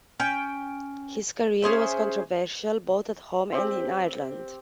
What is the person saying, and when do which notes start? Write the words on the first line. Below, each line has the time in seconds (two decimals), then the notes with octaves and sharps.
His career was controversial both at home and in Ireland.
0.20 C#4 G5
1.62 C#4 G#4 C5 E5
3.52 C4 G4